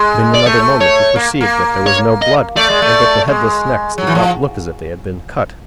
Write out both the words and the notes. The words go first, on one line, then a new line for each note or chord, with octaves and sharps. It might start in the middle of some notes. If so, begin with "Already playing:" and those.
But in another moment he perceived that there was no blood, and that the headless necks did not look as if they had been cut.
Already playing: G#3
D5
A3 C#5
C#5
A#3
A#3
C#5
D#5
A3 D5
G#3
A3
G#3
F#3
E3
F3